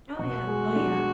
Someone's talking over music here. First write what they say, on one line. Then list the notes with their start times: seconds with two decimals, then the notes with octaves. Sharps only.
Oh, yeah, oh, yeah.
0.19 B2 F#4
0.47 G#3
0.76 D4